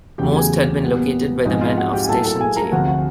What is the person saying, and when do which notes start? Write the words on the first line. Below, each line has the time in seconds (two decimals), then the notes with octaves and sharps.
Most had been located by the men of Station J.
0.18 E2 C#3 F#3 A3 G4 G5
0.34 G#4 G#5
0.83 A#2 G3 B3
1.45 G#2 F3 G#3 C4 D#4 D#5
1.61 F4 F5
1.77 F#4 F#5
1.93 G4 G5
2.04 G#5
2.08 A2 F#3 A#3 A4 A5
2.25 A4 A5
2.40 G#4 G#5
2.56 A#4 A#5
2.72 D2 C3 F3 F#4 F#5
2.88 F#4 F#5